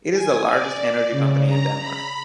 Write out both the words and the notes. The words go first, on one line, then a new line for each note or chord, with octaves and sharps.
It is the largest energy company in Denmark.
G#5
D5
C#3
A#5
B5